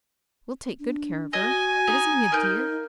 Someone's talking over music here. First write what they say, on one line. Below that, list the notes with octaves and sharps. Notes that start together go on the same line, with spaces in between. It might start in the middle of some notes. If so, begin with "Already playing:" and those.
We'll take good care of her. But isn't he a dear?
D4
F#4 D#5 G#5
D#4
A#3 D#4 G6